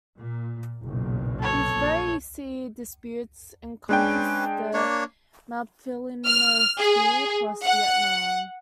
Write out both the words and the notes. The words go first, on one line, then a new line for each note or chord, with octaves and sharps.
These very sea disputes encompass the Maphilindo sphere, plus Vietnam.
A#2
F#1 B1 A#2
A4 C#5
A#1
G#3 C#4 D4 B4 G5
A#3 D4 C#5
F6
G#4
F#5